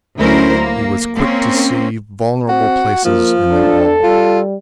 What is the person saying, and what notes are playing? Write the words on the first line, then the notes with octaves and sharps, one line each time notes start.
He was quick to see vulnerable places in them all.
D2 F#3 C#4 E4 A#4 C5
A#3
A#3 C4 C#4
C4 F#4
F3 A#3
D4 A4
G3 F4